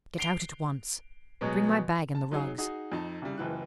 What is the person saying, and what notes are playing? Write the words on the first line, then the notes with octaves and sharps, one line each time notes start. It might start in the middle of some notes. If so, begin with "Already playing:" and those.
Get out at once! Bring my bag and the rugs!
C7 D7 F7 G7
B2 F#3 G#3
A5
F#3 D#4 G#4
D#4 F#4 G#4 D#6
F2 D#4 A5
C2 C#3 G3
F#1 C#2 E3 F#6